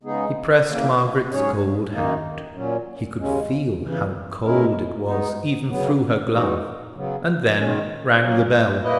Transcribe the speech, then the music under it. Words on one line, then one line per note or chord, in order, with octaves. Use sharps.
He pressed Margaret's cold hand; he could feel how cold it was, even through her glove; and then rang the bell.
C#3 G#3 B3 D#4 G#4
C#3 E3 A#3
G#2 F#3 C#4 G#4 C#5
F#2 D#3 A#3 D#4
A#2 F#3 C#4
D#2 C#3 G#3 C#4
E2 C#3 E3
B2 G#3 C#4 E4 A#4
G#3 B3 D#4
C#3 F#3 B3
G#2 E3 G#3 D#4 F#4
C#3 F#3 B3
G#2 D#3 G#3 C#4
F#3 A#3 C#4
A#2 A#3 E4 B4 D#5